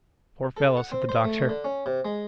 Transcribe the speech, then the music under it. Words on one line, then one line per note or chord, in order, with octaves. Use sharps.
"Poor fellow!" said the doctor.
A4
F#5
C4
C5
A3
D3
C#4
C3
G#3